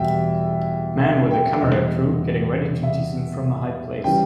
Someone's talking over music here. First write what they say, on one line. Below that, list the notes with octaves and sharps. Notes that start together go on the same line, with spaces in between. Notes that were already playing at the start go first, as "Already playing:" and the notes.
Man with a camera crew getting ready to descend from a high place.
Already playing: E2 B2 G3 E5 G5
E5
G5
E2 B2 G3 D#5
E5
C#3 E3 G3 G5